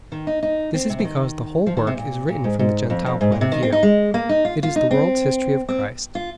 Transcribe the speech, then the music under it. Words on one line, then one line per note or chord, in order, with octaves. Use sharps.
This is because the whole work is written from the Gentile point of view--it is the world's history of Christ.
D#3
D#4
D#4
C4
C3
F3
D#3
F3
D#3
C3
A#2
A#2
G#2
G#2
F2
F2
G#2
A#2
C3
D#3
C4
D#4
G#3
A#3
D#4
F4
F4
D#4
C4
C4
F4